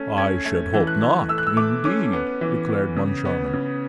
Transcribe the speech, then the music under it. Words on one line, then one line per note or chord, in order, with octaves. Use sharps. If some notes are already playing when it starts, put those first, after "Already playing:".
"I should hope not, indeed!" declared Moncharmin.
Already playing: A3 C#4
C#4 G#6
A3 G#6
E3
F#6
E3
A3 E6
F#6
E6
A3 D6
C#4 D6
B3
E3
B3
C#3
B3
C#3